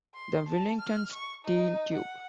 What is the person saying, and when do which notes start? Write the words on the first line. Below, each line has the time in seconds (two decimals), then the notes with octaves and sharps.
The Wellington Steel Tube.
0.15 C6
0.49 A5
0.80 F6
1.13 C#6
1.45 D#4
1.94 F#5